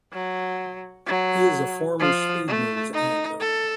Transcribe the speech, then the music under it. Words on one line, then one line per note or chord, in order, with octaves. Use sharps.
He is a former "SpeedNews" anchor.
F#3
F#3
F3
A3
D#4
A4